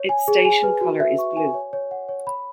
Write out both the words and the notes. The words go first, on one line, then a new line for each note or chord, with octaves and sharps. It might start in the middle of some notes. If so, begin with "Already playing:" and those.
Its station colour is blue.
Already playing: C#5
G#5
G#4
G#5
B4
F#4
E5
C#6
G#5
C#5
C#5
F#5
C#5
B5